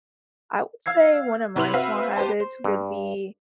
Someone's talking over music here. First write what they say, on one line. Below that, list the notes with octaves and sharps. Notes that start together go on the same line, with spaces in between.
I would say one of my small habits would be
F5 E6 G#6 C7
C3 E4 B4 C6 F7 F#7
C4 F#4 B4 E5 F5
G4 B4 C5 A5
C5
G2